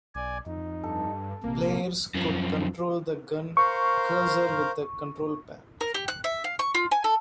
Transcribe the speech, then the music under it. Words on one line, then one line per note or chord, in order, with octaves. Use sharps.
Players could control the gun cursor with the control pad.
B1 D5 G#5
F2 D#4
G2 A4
A#1 C3 A#3
F#2 F3
A#4 C5 F5 C#6
A#4
G4
F#6
E5
F5
C#6
F4
G#5
A4